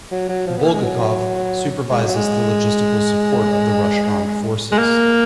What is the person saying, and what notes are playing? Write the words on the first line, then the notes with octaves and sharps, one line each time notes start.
Bulgakov supervises the Logistical Support of the Russian Armed Forces.
F#3
F#3
F3
B3
A#3
G#3
F#3
G#3
F#3
G#3
G#3
A#3